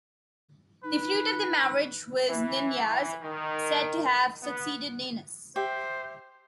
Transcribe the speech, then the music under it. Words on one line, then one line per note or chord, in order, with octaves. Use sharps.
The fruit of the marriage was Ninyas, said to have succeeded Ninus.
D#4 B4
E3
D#3
B3
G4 C5 E5